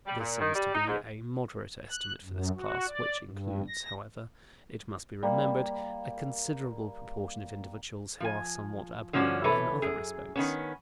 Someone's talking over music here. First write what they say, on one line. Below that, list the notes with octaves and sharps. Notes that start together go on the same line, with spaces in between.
This seems to be a moderate estimate for this class, which includes, however, it must be remembered, a considerable proportion of individuals who are somewhat abnormal in other respects.
G3
A#2
D#3
G3
D#4
G#2
F#6
F#2
F#4
D5
G2
A#6
G3 A#3
F3 G#5
D3 F3 C#4 D4 F#4 D5
C3 E3 A4 B4 C#5
F#2 G#4
D#3 B3 C#4